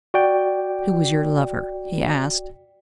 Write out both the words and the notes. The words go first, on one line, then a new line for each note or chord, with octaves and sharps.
"Who was your lover?" he asked.
F#4 D5 G5